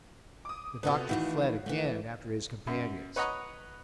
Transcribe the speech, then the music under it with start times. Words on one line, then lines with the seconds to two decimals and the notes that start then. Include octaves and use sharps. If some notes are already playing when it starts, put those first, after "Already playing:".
The doctor fled again after his companions.
0.45 D6 D#6
0.83 C3 B3 F4 F#4 A4 B4
1.09 D#3 E3 A3 E4 F#4 F5
1.66 E3 A3
2.67 F#2
3.16 B4 C#5 D#5 F#5 A#5 C#6